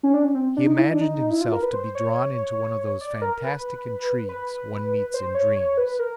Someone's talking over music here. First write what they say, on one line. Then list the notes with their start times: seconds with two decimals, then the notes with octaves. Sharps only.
He imagined himself to be drawn into one of those fantastic intrigues one meets in dreams.
0.03 C#4
0.14 D4
0.24 C#4
0.35 C4
0.57 D4
0.67 D#4
0.77 E4
0.86 D#4
0.93 D4
1.01 D#4
1.31 E4
1.41 F4
1.52 A#4
1.63 B4
1.73 C5
1.95 C#5
3.01 D5
3.22 A#4
3.44 B4
4.29 B4
5.14 C5
5.35 C#5
5.56 C#5
5.77 B4
5.99 A#4